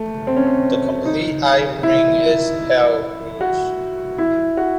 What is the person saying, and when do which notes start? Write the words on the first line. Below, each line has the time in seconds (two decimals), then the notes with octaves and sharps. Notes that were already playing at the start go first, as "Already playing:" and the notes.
The complete eye-ring is pale bluish.
Already playing: A3
0.27 C4
0.36 C#4
0.47 C4
1.05 D#4
1.83 E4
3.41 F#4
4.18 E4
4.57 F#4